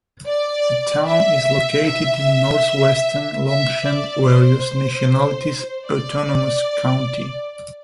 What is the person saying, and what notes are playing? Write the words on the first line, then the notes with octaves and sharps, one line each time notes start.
The town is located in northwestern Longsheng Various Nationalities Autonomous County.
D5
E5
E5
E5
D5
C5
D5